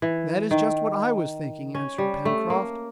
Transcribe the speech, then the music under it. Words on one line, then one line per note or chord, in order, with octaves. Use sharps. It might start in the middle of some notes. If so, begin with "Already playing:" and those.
"That is just what I was thinking," answered Pencroft.
E3
D#3
C#4
G3
A3
A#3